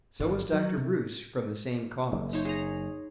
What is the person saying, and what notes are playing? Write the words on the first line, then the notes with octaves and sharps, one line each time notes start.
So was Dr. Bruce from the same cause.
G1
F#3
C3
F#1
D#4 C5 C#5
G#4 A#5